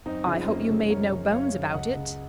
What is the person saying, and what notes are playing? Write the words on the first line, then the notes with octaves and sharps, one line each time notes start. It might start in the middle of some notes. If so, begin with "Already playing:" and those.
"I hope you made no bones about it."
F#2 C4 D#4
C#3 C#4 F4
F#2 A#3 C#4
C#3
F#2 A#4 C#5
C#3
F#2 C#5 F5
C#3
C#2 D#5 F#5
C#3